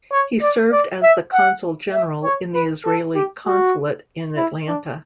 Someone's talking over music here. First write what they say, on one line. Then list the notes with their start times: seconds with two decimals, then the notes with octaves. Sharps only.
He served as the Consul General in the Israeli Consulate in Atlanta.
0.12 C#5
0.42 D5
0.72 D5
1.03 E5
1.33 F#5
1.93 E5
2.24 C#5
2.54 B4
2.86 A4
3.15 G4
3.46 F#4
4.37 E4
4.67 D4